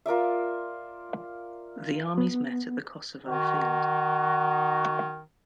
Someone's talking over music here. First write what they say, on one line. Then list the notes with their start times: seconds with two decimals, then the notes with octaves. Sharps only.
The armies met at the Kosovo Field.
0.06 F4 A#4 D5 E5
2.18 B3
3.27 D#3 D#4 F#4